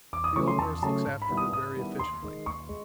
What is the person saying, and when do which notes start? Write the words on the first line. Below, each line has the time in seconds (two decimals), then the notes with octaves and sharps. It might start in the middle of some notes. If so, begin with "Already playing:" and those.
The old nurse looks after her very efficiently.
0.13 E2 D6
0.24 D#6
0.36 C#3 F#3 A3 C#4 C#6
0.48 C6
0.59 E2 A5
0.82 C#3 F#3 A3 C#4 A5
1.07 G#2
1.22 B5
1.29 D#3 G3 B3 E4
1.37 D#6
1.52 G#2 D#6
1.76 D#3 G3 B3 E4
1.99 D#2 C6
2.22 D#3 G#3
2.46 D#2 C#6
2.69 G#3